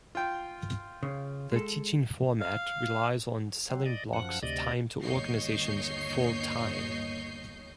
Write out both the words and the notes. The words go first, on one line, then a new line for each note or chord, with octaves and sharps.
The teaching format relies on selling blocks of time to organizations full-time.
F4 G5
C#3
G#3 A4
F5
F#3 C4
D5 D#5
F#2 F3 F#5
D2 C3 D5 D#5
G1 D#2 C#5 D#5 G6 C7